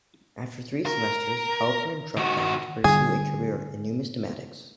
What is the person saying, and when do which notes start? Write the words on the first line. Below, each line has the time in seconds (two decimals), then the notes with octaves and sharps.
After three semesters, Halperin dropped out to pursue a career in numismatics.
0.86 A#4
2.17 D#3 F#4
2.84 D3 G3 D4 G#4